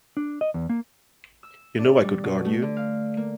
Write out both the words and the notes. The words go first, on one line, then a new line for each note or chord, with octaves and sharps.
You know I could guard you.
D4
D#5
E2
A#3
E6
D4
G3
B2
A3
D3
F5
A#3